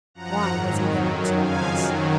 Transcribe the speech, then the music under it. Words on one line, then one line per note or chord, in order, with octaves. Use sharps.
Why was he going to Arras?
F#2 F3 F#5 A#5
G#2 D#3 F#3
F2 D#3 F#3 G#5 B5
F#2 D#3 F#3
F2 C#3 F3 F5 G#5
F#2 D#3 F#3